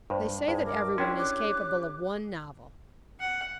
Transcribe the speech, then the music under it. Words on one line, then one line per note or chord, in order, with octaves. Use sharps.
They say that everyone is capable of one novel.
G2 G4 C5
G2 G#4 C5
A#4 D#5 D6
C#4 D4 E4 F#4 G#4 G5 C6
G4 C#5 D6 F#6
F#5